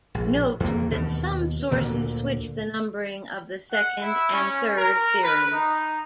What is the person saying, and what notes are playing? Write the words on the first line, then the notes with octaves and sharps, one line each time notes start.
Note that some sources switch the numbering of the second and third theorems.
A#1
E2 A#3
D#2 B2
D2 A#2 D3
F#5
E4
C#4
A#4
B4
D#4